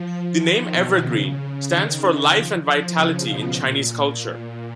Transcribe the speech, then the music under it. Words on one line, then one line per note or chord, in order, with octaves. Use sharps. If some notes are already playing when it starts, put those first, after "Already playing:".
The name "Evergreen" stands for life and vitality in Chinese culture.
Already playing: F3
D#3
B2
C#3
D#3
F3
F3
C#3
B2
A#2